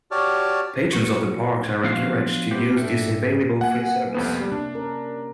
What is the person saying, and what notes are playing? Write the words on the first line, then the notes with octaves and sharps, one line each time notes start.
Patrons of the parks are encouraged to use this available, free service.
F#4 G4 C#5 D5 A5 F6
F#4
F3 B3 D4 F4 F#4 F5
B3 C4 E4 G4 B4
G#2 D4 A4 E5 G5
A#3 F#5 G#5
C2 F2 B3
G3
C3 D4
C#4 A#4